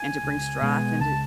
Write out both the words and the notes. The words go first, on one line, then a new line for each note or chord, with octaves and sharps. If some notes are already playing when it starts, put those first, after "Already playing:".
and to bring strife into
Already playing: G#5
C#2
B2 G#3 B3
C#2 A5